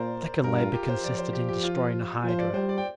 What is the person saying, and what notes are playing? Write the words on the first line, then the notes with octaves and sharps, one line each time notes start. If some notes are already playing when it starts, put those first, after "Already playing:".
The second labor consisted in destroying a hydra.
Already playing: A#2 A#4 C5 D5
G2 A#4
F4
G4
C5
F3 D5
C5
G4
G4
F4
F3 C5
D5
G3 C5
D5
G5